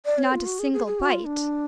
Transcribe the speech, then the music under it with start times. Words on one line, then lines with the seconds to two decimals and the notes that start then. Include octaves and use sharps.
Not a single bite.
0.05 D5
0.18 C#5
0.32 F4
0.46 F#4
0.59 G#4
0.73 G#4
0.86 G#4
1.00 F#4
1.13 F4
1.26 D4